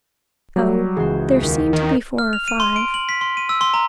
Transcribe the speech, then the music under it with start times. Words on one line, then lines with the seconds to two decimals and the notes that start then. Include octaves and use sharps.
Oh--there seem to be four or five.
0.56 F#3 G3 G4
0.97 C#2 E3 F#4 G#4 C5
1.42 D#2
1.73 D#3
2.18 F6
2.33 F7
2.48 D#7
2.60 C6
2.76 D7
2.94 F#7
3.09 B6
3.21 C6
3.37 D#7
3.49 E6
3.61 C6
3.74 A#5